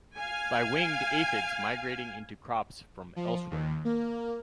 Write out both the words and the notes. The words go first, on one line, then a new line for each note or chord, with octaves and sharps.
By winged aphids migrating into crops from elsewhere.
F5 G#5
F3
D#2
A#3